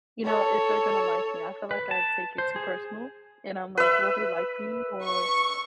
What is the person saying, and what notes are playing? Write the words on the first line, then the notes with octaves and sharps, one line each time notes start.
you know, if they're gonna like me, I feel like I take it too personal and I'm, like, "Will they like me?" or
A4 C#5
B4
A5
C5
G#4
B4 E5
C#6